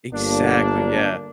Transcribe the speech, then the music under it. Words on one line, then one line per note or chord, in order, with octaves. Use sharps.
Exactly, yeah.
G1 A#3 D4